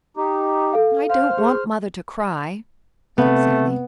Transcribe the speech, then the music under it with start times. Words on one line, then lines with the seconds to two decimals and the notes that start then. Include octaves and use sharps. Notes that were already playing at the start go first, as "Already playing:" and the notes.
"I don't want mother to cry," said Sallie.
0.17 D#4 G4
0.73 A4 F5
1.10 C5 F5 F6
1.38 G#4
3.18 C3 A3 B3